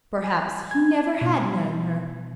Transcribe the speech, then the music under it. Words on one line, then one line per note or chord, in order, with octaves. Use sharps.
Perhaps he never had known her.
G#5
G#6
B2